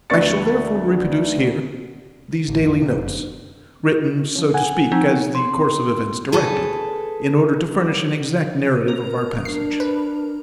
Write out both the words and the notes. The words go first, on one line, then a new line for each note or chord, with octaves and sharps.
I shall therefore reproduce here these daily notes, written, so to speak, as the course of events directed, in order to furnish an exact narrative of our passage.
D2 B4 D5 C#6 A6 C#7
A1
F2
C3
F#1
F3 C#4
F#5 G#5
F3 C4 D#4
C6
G#4 A4 B4 A5
A#4
D4 C7
B4